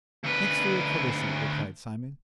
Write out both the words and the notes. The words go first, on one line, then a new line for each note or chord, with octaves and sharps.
'Thanks for your courtesy,' replied Simon.
D2 B4